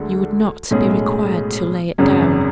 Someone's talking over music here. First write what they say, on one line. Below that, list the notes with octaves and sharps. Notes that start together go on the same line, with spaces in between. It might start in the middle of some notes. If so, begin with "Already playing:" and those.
'You would not be required to lay it down.'
Already playing: D2 D3 G#3
B1 A2 G#3 C#4 G#4
G#1 F#2 C#3